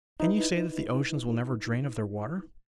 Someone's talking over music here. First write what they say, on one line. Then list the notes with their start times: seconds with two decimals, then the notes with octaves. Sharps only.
Can you say that the oceans will never drain of their water?
0.20 D#4 E4 B4